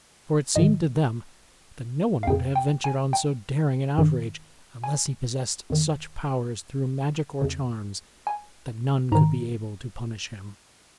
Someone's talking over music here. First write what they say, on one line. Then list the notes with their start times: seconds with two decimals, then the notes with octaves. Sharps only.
For it seemed to them that no one would have ventured on so daring an outrage unless he possessed such powers, through magic or charms, that none could be able to punish him.
0.56 G#2 D#3 D#5
2.23 F5
2.27 F2 C#3 G5
2.55 G5
2.84 G#5
3.13 G5
3.98 G2 D#3
4.84 G#5
5.70 F2 D#3
7.42 F2 C#3
8.27 G#5
9.12 G#2 D#3 A#5